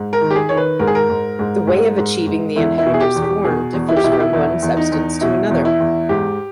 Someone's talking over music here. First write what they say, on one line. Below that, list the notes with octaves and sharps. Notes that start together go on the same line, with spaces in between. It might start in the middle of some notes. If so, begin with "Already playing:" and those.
The way of achieving the anhydrous form differs from one substance to another.
Already playing: G#2
A#4
D#3
G4
G#4
D#3 C#5
B4
G#2 A#4
G#4
A#4
G#2
G#2
G#2
G#2
G#2
E2 E4
E4
B2
G#4
G4
E2
G4
B2 G#4
E2
E4
G4
B2 E4
G4
E4
E2 E4
E2
D#4
E2
B2 E4
E2
E4
E2
G#2 G4